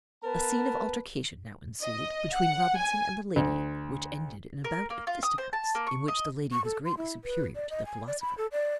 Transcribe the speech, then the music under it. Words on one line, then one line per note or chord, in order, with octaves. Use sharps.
A scene of altercation now ensued between Robinson and the lady, which ended in a bout at fisticuffs, in which the lady was greatly superior to the philosopher.
B3 A#4 B4 A5
D#5
F#5
G#5
D2
A#4
A#3
F4
D#6
C5
A5
A#3
C#6
D#5
C#6
A4
C6
E4
B4
D5
D#5
G#5
D5
B5
A4
D5